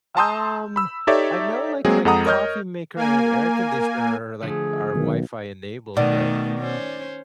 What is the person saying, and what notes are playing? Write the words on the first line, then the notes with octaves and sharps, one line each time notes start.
Um, I know, like, my coffee maker and air conditioner are, like are Wi-Fi enabled, but
A5 A#5 C6 D#6 E6 G6
B5 E6
D#4 G4 A4 C#5 D5 E5
F#3 G#3 A#3 C4 G#4
F2 G#3 A4 F#5 A#5 D#6
A#4 C#5 D#5 F6 G6
A#3 G#5
D3 F3 A3 G#4
B1 D#3
B2 D#3 A3 D#4 D5
C#4 C5